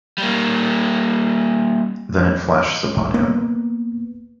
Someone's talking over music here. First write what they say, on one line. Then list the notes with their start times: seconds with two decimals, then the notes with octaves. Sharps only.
Then it flashes upon him.
0.18 G3 A#3
3.14 A#3 B3